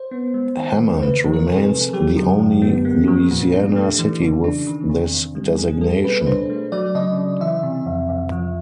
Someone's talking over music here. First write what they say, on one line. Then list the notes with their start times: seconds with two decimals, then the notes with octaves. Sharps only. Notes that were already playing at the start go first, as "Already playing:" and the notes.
Hammond remains the only Louisiana city with this designation.
Already playing: C5
0.11 B3
0.34 G#3
0.57 D#3
0.80 D#3
0.97 C5
1.02 A3 B4
1.25 F3
1.34 A#4
1.48 C3 A4
1.63 G#4
1.71 C3
1.93 F#3 G4
2.17 D3
2.40 F#2
2.62 B3
2.85 A#3
3.08 F3
3.31 A#2
3.53 D4
3.76 A3
3.99 E3
4.21 C#3
4.44 D4
4.67 D#3
4.89 C3
5.13 E2
5.35 G3
5.58 A#3 G#4
5.81 G3 A4
6.03 B2 B4
6.21 B4
6.26 D4 C5
6.50 A3
6.72 F#3 D5
6.95 C#3 D#5
7.18 C#3
7.41 E3 E5
7.63 C3
7.86 F2
8.09 F2
8.32 F3